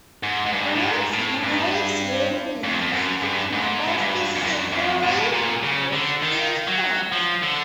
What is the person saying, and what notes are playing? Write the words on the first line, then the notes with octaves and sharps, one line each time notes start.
Brian soon arrives with Mia, who commandeers the Supra while Brian rescues Vince.
G#2
G#2
G2
A2
G#2
A2
G2
F2
F2
F#2
G2
G#2
G#2
G2
F2
F#2
F2
A2
G#2
A2
A#2
C#3
D3
D#3
F#3
F3
D3